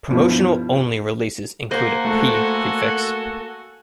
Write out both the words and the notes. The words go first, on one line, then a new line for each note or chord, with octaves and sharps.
Promotional-only releases include a "P" prefix.
G2 B2 F3 E4
A#3 C5 F#5 G#5
A3 F#4 A4